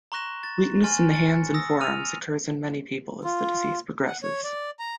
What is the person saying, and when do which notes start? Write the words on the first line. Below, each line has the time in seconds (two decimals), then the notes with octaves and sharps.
Weakness in the hands and forearms occurs in many people as the disease progresses.
0.12 A#5 C6 C#6 F#6 A#6 E7
0.43 A6
0.84 G#5 C6 F6 A6
1.13 A6 C#7
1.54 D#6 E6 A#6
1.81 F6 D#7 F7
3.24 F4
4.07 F#5
4.23 C#5
4.44 D5
4.79 A#5